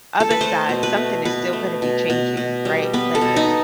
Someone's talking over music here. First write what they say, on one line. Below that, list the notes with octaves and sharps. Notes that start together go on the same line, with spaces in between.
other side, something is still gonna be changing, right, like, 'cause
A4
B4
A3 C5
B2
B4
A3
B2 B4
A3
B2
B2
B2
G3
B3 B4
A4
B2
D#4